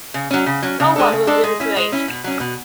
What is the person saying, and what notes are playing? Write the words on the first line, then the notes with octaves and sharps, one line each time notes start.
No one will be replaced.
C#3
F#3 C#4
C#3
F#3 C#4
C#3
G#3 D4 A4
C#3
G#3 D4 A4
G#3
C#4 E4
G#3
C#4 E4
B2
F#3 C#4
B2